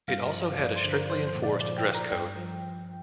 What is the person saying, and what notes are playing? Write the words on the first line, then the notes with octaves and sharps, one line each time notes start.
It also had a strictly enforced dress code.
G2 F5
F3
G2 D5
C5
D3
A#4
F3 C5
C5
A#2
D5
F3 D5
G5
F3
A#5
G2 G5
F3